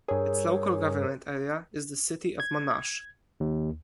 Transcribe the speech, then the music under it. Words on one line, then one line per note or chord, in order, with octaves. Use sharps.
Its local government area is the City of Monash.
G2 G#4 A#4 C#5
G#6
D#2